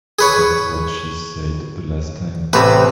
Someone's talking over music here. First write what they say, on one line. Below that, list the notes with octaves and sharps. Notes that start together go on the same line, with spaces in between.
That's what she said the last time.
G#4 B4 C#5
A1 C3 B4